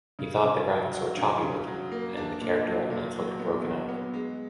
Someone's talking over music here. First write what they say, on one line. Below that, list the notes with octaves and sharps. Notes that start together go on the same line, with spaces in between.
He thought the graphics were "choppy" looking, and the character outlines looked "broken up".
C#3
C#3
F#3
F#3
C#3
C#3
F#3
A#3
D4
A#2
F#3
A#2
F#3
B3
F#3
B3
G#3